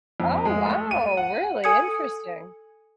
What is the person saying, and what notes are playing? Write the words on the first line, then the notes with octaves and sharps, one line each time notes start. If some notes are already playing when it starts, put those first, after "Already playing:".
Oh, wow, really? Interesting.
F2
G#3
A3
D#7
F#5
A4 G#5 D#6 G#6 C#7